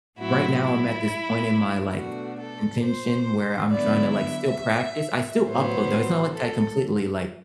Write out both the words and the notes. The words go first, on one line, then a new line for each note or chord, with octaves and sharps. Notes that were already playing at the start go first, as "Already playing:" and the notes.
Right now I'm at this point in my, like, intention where I'm trying to, like, still practice, I still upload though, it's not, like, I completely, like,
A2 F#3 C4 E4 F#4
E4
B2 A3 D4 F#4
A4
C5
D3 F#3 B3 E4 D5
E5
A2 F#3 B3 C5
A4